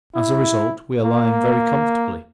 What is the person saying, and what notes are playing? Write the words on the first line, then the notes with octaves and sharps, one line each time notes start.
As a result we are lying very comfortably.
E4
A#3